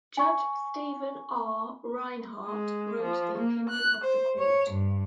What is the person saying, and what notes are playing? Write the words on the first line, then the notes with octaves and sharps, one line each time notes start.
Judge Stephen R. Reinhardt wrote the opinion of the court.
G#5 C#6
G#3
F3
A#3
F#6
C5
C#5
G2